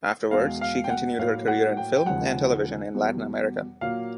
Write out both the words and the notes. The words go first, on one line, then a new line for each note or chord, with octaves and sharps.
Afterwards, she continued her career in film and television in Latin America.
E2 B2 G#3 F5
F5
G5
F#5
A2 F#3 A#3 F5
F#5
G5
G5
D#2 C#3 F3 G#3 F#5
E2 B2 G3
A#2 F#3 A#3 F5